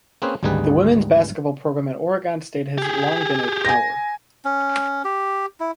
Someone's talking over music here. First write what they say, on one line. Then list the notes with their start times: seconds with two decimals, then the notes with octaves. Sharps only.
The women's basketball program at Oregon State has long been a power.
0.22 A#3 C4 C#4 G#4 B4 C5
0.43 G#1 D2 G3 D#4 G#4 B4
2.78 G4 G#4
3.65 G#5 A#6
4.45 C#4
5.05 G4
5.60 E4